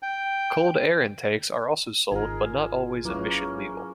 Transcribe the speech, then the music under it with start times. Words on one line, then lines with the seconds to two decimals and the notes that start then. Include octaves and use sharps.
Cold air intakes are also sold but not always emission legal.
0.03 G5
2.11 G#1 D#4 F4 G#4 A#4
3.05 F#3 A#3 C#4 E4 B4